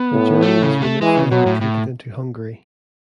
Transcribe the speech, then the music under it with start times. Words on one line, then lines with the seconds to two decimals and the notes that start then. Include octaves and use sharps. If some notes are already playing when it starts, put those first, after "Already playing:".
The Germans units then retreated into Hungary.
Already playing: B3
0.13 A2
0.42 A3
0.62 C#3
0.82 A3
1.02 E3 G#3
1.17 C#3
1.31 B2 F#3
1.47 A2
1.61 A2